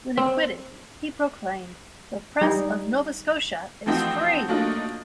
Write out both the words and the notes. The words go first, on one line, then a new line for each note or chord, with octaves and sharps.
When acquitted, he proclaimed: the Press of Nova Scotia is free.
C4
G3 D#4
E3 F3 A3 C4 D#4 F#4
F#3 A3 A#3 D4 D#4 F4